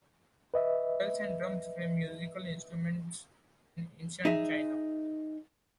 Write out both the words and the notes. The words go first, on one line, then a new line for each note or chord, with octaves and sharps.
Bells and drums were musical instruments in ancient China.
B4 D#5 E5
D#4 G#4 E5